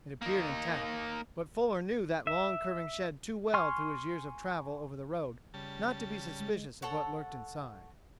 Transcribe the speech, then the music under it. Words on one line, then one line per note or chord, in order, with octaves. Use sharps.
It appeared intact, but Fuller knew that long curving shed too well through his years of travel over the road not to be suspicious of what lurked inside.
A#3 D#4
E5
G#5 C6 C#6 F6
C#3 G3 A5
G#3
A4 C#5 F#5